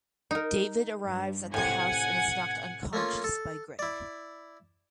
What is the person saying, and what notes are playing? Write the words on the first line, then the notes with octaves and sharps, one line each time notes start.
David arrives at the house and is knocked unconscious by Greg.
D#4 A#4
G2
A2 C3 F#5 G#5 G#6
A3 A#3 C#4 F4
A4
E4 D5